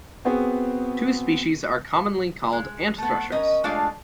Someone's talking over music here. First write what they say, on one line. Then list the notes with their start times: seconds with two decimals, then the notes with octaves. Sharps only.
Two species are commonly called "ant-thrushes".
0.25 B3 C4 F#4 G#4
2.53 G#3
2.98 A3 B3
3.32 C#4 A#4 D#5
3.64 G#3 A3 D4 F4 D5 F5